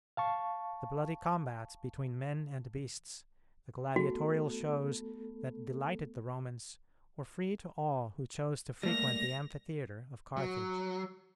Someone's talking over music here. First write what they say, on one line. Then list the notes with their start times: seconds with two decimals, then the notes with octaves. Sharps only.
The bloody combats between men and beasts, the gladiatorial shows that delighted the Romans, were free to all who chose to frequent the amphitheatre of Carthage.
0.17 F5 A5 C#6
3.96 A3 B3 F#4 A4
8.83 G3 A3 A#3 A#6 F7
10.37 F#3